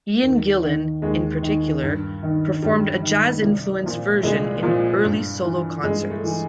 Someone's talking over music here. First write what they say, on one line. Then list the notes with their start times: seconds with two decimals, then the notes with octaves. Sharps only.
Ian Gillan in particular performed a jazz-influenced version in early solo concerts.
0.22 D#2
0.63 D#3
1.02 D#2 G#3
1.42 D#3
1.83 G2
2.23 D#3
2.62 G2 G3
3.02 D#3
3.42 C2
3.83 A#2 F3
4.23 C2 G#3
4.63 A#2 F3
5.03 G2
5.43 E3
5.83 G2 G#3
6.10 A3
6.24 E3